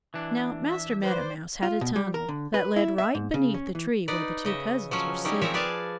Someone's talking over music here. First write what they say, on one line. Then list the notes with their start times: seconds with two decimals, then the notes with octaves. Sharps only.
Now, Master Meadow Mouse had a tunnel that led right beneath the tree where the two cousins were sitting.
0.14 E3 D4
0.67 E5
1.02 B4 C5 D5
1.63 F4
1.81 B2
1.96 G3
2.14 A#4
2.29 D3
2.54 B4
2.76 E4
2.98 E5
3.15 G#2
3.34 C#3
3.54 C#4
3.75 E3
4.08 D#4 B4 D5
4.45 C#3 D#5 E5
4.91 F3 F#3 C#4
5.25 G3 C#4 D#4 E4
5.41 F3 C4 G#4 A#4 C#5 E5
5.54 G#4 B4 D5 F5 G#5 A5